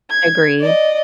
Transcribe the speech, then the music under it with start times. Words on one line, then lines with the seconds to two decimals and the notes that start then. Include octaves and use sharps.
I agree.
0.10 G#6
0.60 D5 D#5